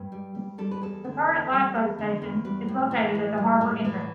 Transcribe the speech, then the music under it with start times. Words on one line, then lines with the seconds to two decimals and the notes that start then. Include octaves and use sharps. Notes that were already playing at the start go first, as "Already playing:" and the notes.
The current lifeboat station is located at the harbour entrance.
Already playing: G2
0.12 G3
0.35 G3
0.58 G3 A4
0.71 B4
0.82 E2 A4
1.04 D3
1.27 E2
1.52 G3
1.75 E2
1.99 D3
2.22 E2
2.45 G3 B4
2.68 A2
2.91 E3
3.15 A2
3.38 G3
3.61 A2
3.84 E3